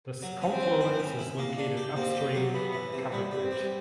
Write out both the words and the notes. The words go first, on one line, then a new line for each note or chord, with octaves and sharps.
This confluence is located upstream of the covered bridge.
F#3
C#4
C4
C#4
E4
C#4
E4
A#3
D4
G4
A#3 C4
G4
F#3
E3 B3
E3
C3
G3 B3
G3
C4
G3